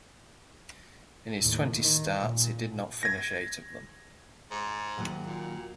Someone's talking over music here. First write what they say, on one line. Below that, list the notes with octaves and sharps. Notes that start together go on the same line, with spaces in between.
In his twenty starts, he did not finish eight of them.
D#2 A2
D#3
A#2
G#6 A#6
G#2
D#2 F#3 F#5
A#2